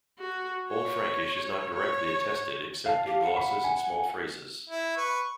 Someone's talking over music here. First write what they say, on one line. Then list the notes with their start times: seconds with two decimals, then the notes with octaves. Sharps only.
Old Frankish is not directly attested except in glosses and small phrases.
0.19 F#4
0.69 C#5
1.73 C#5
2.86 F5 A5
3.06 G4
3.21 F#5
3.36 B5
3.64 G#5
4.70 E4
4.97 B4 C#6